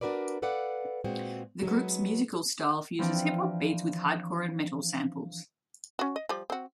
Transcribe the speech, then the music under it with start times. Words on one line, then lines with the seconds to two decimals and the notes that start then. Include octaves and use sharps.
The group's musical style fuses hip hop beats with hardcore and metal samples.
0.01 D4 F#4 A#4 B4 D5
0.42 A4 B4 D5 F5 F#5
1.04 A#2 G#3 C4 F#4
1.63 F#3 G#3 B3
2.99 E3 F3 C4 D4
5.99 C#4 F#4
6.16 D#5
6.29 F3 G3
6.50 C4 F#4